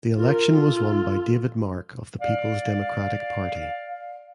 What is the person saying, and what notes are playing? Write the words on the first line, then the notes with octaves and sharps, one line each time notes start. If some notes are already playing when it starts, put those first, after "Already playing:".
The election was won by David Mark of the Peoples Democratic Party.
F4 A#4
F4 A4
D5 F5